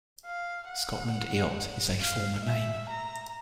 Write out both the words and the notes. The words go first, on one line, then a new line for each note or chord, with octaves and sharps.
"Scotland Eyot" is a former name.
F5
F#5
F5
E5
A#5